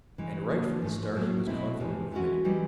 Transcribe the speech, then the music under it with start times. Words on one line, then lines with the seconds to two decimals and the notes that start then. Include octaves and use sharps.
And right from the start he was confident of winning.
0.18 C#3 E3 G#3
0.50 D3 F3 A#3
0.82 G#2 F3 A3
1.15 A2 F#3 A#3
1.47 B2 G#3 C4 E4
1.80 E2 C3 F3
2.12 E3 G#3 C#4 F#4
2.44 E3 G3 C4 D#4 F#4